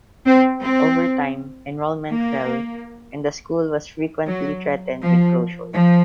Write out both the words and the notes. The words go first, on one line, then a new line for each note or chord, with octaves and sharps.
Over time enrollment fell, and the school was frequently threatened with closure.
C4
C4
A#3
F#3
F3
F3